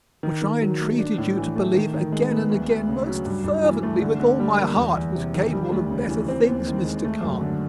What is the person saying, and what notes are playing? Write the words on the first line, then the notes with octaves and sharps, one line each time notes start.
"Which I entreated you to believe, again and again, most fervently, with all my heart, was capable of better things, Mr. Carton!"
D#3
D#3
F#3
A3
D4
A2
E3
A3
D#3
D#3
G#3
B3
D2
D2
C#3
F#3
G2
G2
E3
A3
D3
D3
G3
A#3
E2
E2
C3
D#3
G3
D2
C#3
E3
C4
D#2
D#3
G#3
A3
F#2
D3